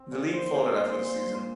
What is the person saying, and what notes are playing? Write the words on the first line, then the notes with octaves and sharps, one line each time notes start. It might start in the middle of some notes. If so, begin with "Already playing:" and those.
The league folded after the season.
Already playing: C4
A#2
C5
A#2
A#2